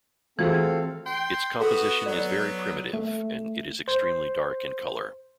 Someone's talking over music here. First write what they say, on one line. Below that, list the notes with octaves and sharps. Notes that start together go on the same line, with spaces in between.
Its composition is very primitive and it is extremely dark in color.
E3 A3 C4 F4 F#4 G#4 A4 F5
G5 C6
B3 F#4 A4
F#3 B3 D5
A3
C5